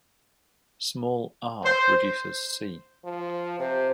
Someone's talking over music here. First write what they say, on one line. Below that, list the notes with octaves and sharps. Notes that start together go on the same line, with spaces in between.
Small "R" reduces "C".
C5
F3
C3 C5